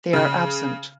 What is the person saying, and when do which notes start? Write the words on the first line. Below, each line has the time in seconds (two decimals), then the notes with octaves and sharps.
They are absent.
0.13 C#3 F6